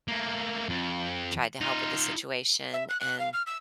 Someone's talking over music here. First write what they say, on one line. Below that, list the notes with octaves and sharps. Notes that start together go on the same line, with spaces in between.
tried to help with the situation, and
A3 A#3
F2
D#4 F4
E5
F#6
F#6
F5
F6
E6